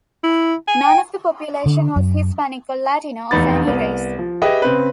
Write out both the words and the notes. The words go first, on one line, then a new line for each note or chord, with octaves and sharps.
None of the population was Hispanic or Latino of any race.
E4
G#5
G5
D3
F#2
F1 E2 B3 D#4 B5 A6
C2 B3
F3
G4 G#4 B4 D#5 E5 G5
C#3 C4 B4